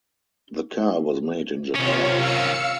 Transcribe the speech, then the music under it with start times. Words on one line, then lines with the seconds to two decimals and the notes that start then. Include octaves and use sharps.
The car was made in Japan.
1.76 C3 D#3 C#4 F4 C#5
2.16 F5 E6 C#7